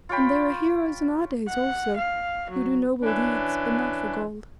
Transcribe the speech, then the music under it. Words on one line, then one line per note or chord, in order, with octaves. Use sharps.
And there are heroes in our days also, who do noble deeds, but not for gold.
F4 C#5 G5 B5
F#5
F5
F#3
E3 C#4 D4